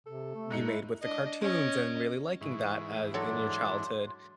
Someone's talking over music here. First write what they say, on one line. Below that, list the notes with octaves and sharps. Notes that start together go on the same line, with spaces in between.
you made with the cartoons and really liking that a in your childhood
C3 A4
A3
G#2 D#4 C#7
E4
D4 D#5
C#4 D#5
G#2 E3 C#6
F#3 D4 A4 C6